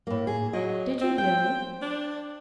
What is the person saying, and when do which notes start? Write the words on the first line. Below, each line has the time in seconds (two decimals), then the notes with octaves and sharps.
"Did you, really?"
0.07 A2 A#3
0.27 G#4
0.53 F#3 D#5
1.01 C4
1.18 C5 G5
1.82 D4